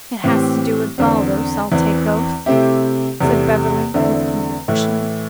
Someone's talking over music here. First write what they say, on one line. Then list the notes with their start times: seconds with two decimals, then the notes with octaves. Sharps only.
"It has to do with Baldos, I'll take oath," said Beverly, with conviction.
0.24 A2 E3 C4 G4
0.98 E2 D3 C4
1.71 E2 E3 C4
2.46 C3 A3 C4 E4 G4
3.21 E2 C3 A3
3.94 E2 D3 A3 C4 E4
4.68 A2 E3 A3 E4